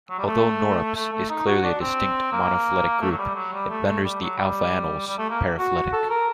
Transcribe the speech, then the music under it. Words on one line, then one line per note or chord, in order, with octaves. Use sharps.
Although "Norops" is clearly a distinct, monophyletic group, it renders the "alpha anoles" paraphyletic.
F#3
G3
A3
A3
A3
D#4
F#4
D4
C4
A#3
A3
F#3
G3
F#3
G3
A3
A3
G3
F#3
G3
G3
A3
A#3
F#4
F#4
A4
A#4